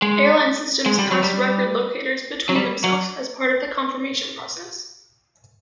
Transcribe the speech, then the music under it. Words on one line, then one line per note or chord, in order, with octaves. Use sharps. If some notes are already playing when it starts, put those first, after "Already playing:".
Airline systems pass record locators between themselves as part of the confirmation process.
G#3
G#3
G3
F#3
G3
F#3
G3
F#3